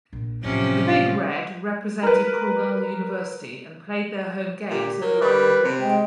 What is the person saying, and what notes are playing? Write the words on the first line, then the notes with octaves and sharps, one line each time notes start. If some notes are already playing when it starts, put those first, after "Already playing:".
The Big Red represented Cornell University and played their home games at Lynah Rink.
A#1
A2 C3 F3 F#3 C#4
F4
A#4 B4
A#2 G4
F#3 A#4
G3 B4
C3
G#3 G5